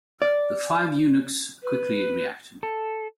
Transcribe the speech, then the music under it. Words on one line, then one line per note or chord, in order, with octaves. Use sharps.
The five eunuchs quickly reacted.
D5
B4
A4